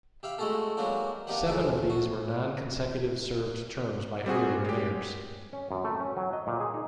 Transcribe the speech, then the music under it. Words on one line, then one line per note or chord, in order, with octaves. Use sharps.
Seven of these were nonconsecutive served terms by earlier mayors.
G4 E5 F5 B5
G#3 A3 E4 F#4 G#4 A4
F#3 G#3 A#3 D4 D#4 F#4
A#3 D4 D#4 G4 B4 F#5
D2 E3 E4 G#4 A4
F#4
G3 C4 F#4 G#4
G#3 G4
C#4
F#2
A3
C#4
F#3
D#5
A#2
G#4
D#4